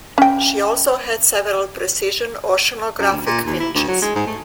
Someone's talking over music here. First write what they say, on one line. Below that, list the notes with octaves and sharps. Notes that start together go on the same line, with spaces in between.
She also had several precision oceanographic winches.
C#4 G5
F#2
D2
A#2
D#2
E4
D2
F#3
G#3
G#2
A3